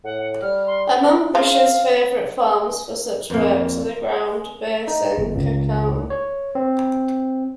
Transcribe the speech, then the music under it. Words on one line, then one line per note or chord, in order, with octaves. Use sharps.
Among Risher's favorite forms for such works are the ground bass and chaconne.
A2 F#5
G3 F6
C6
C#3 F4 F5
F2 A#3
D#4
G1
C#2
C#5
C4